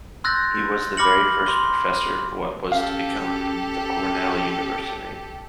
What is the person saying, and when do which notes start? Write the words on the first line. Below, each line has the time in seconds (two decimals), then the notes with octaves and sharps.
He was the very first professor of what was to become the Cornell University.
0.24 C6 E6 F#6 G6 A6 A#6
0.97 B5 D6 F6 A#6 C#7 F#7
1.46 C6 G7
2.72 C#4 G4 A4 F5